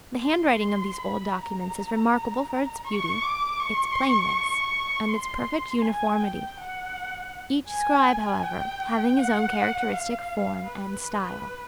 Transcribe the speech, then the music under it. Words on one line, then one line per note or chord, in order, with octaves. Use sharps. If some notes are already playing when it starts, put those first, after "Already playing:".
The handwriting of these old documents is remarkable for its beauty, its plainness, and its perfect uniformity; each scribe, however, having his own characteristic form and style.
C6
B5
A#5
C#6
D6
C#6
C6
G#5
G5
F#5
G#5
G5
F#5
F5
B4